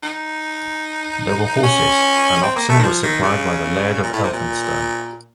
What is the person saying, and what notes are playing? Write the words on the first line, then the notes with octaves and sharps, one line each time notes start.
There were horses, and oxen were supplied by the Laird of Elphinstone.
D#4
C#4
C4
A#3
A3
D#3
F3
D#3
C#3
A#2
A2
C3
A#2